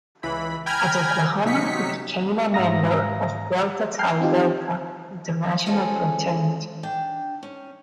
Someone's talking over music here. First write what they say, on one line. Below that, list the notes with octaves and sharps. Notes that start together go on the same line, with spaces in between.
At Oklahoma he became a member of Delta Tau Delta International Fraternity.
C#2 E3 B5
G5 G#5 A#5 B5 F6 G#6
C3 F#3 D#4 B6 C#7
G#2 E5 F5 A#5 D#6 A#6
G5 F6 G6 C7
C4 D#4 F4 G4
G#3 C#4 F4 G#4 A4 C5
D4 G5
C#4